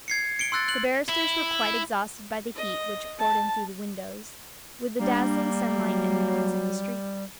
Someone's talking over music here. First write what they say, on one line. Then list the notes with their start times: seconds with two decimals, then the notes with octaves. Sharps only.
The barristers were quite exhausted by the heat which poured in through the windows, with the dazzling sunlight and the noise of the streets.
0.08 G#6 C7 C#7
0.39 C#7 D7 G7
0.52 C6 E6 F#6 A6
0.68 F#6 F#7
1.09 E4
2.55 D#5
3.18 A5
4.99 G3 A#3 D4
5.75 F#3